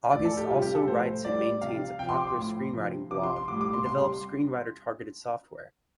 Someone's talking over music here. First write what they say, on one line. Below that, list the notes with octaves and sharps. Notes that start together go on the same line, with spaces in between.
August also writes and maintains a popular screenwriting blog and develops screenwriter-targeted software.
A2 F3 D5
A4
G4
C3 G3 F4
G4
A4
A2 F3 C5
A2 G3 D5
C3 F3 F5
C3 F3 G5
C6
D6
C6
A2 F3
C3 F3
C3 F3 D6
C6
C6
A2 G3 D6
D6
C6
C3 G3 C6
C6